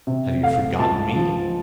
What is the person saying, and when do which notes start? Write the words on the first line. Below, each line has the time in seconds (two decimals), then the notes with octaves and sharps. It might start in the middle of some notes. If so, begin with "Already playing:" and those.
Have you forgotten me?
0.07 C3
0.43 A3 F5
0.79 C#2 A5
1.16 F3